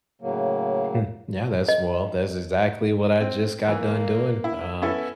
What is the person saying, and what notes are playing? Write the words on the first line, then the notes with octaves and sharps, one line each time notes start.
Mm, yeah, that's well, that's exactly what I just got done doing, um,
A2 C#3 F#3 A#3
D#5
C4
E3 A#3
E4
B3 C#4 E4 A4